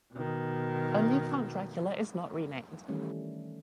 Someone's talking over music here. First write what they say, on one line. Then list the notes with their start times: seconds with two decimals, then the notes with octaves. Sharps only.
Only Count Dracula is not renamed.
0.13 B2 D#3
2.88 D#3 E3 G3 A3 C#4